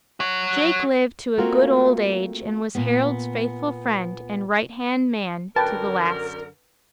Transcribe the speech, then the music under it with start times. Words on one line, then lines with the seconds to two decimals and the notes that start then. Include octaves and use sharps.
Jake lived to a good old age and was Harold's faithful friend and right-hand man to the last.
0.20 F#4 C#5
1.38 A3 A#3 C4 F4 F#4 A#4
2.75 A#2 B3
5.56 F#2 D3 A#4 B4 G5 A5